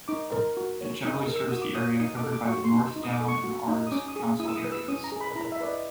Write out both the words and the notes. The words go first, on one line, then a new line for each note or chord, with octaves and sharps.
It generally serves the area covered by the North Down and Ards council areas.
D#4 D6
A#4
F#4
C#5
D#4 D#6
A#4
E6
F#4 D#6
D6
C#5 D#6
D#4 D#6
D6
A4
D6
F#4 C#6
C6
D#4
D#4
D#6
D6
A4
C#6
F#4
D#4
D#6
C#4 D6
D#6
G#4
E4 D#6
E6
D#6
B4
E6
C#4 D#6
A#5
G#4
B5
B5
E4 A#5
E5
B4 D5
D#5